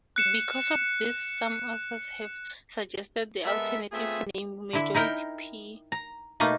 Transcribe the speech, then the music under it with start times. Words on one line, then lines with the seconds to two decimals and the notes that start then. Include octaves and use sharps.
Because of this some authors have suggested the alternative name "Majority-P".
0.16 F#6 C#7 E7
3.46 G#3 B3 A4 A#4 E5
3.92 A3 B3 C4 F4 G#4 E5
4.73 D3 E4
4.94 D#4 E4 A#4 G5
5.92 A#5
6.40 B2 A3 A#3 D#4